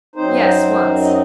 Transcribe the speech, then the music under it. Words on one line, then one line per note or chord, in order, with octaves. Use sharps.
"Yes, once."
F#2 F#3 C4 D#4 C5
D#5